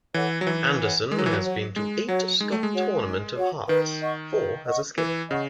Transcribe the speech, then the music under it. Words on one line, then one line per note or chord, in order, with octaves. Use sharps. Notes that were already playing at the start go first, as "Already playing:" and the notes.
Anderson has been to eight Scott Tournament of Hearts, four as a skip.
E3 A4 C#5 F#5
F#3
E3 D#4
A4 C#5 F#5
G#3 D#4
F#3
E3
F#3
F#4 C#5 F#5
G#3 D#4
F#3 F#4 C#5 F#5
G#3 D#4
A3
G#3
F#4 C#5 F#5
D#4
F#4 C#5 F#5
D#3 B4
D#5 F#5 C#6
B4
D#5 F#5 C#6
E3 B4
C#3 D#5 F#5 C#6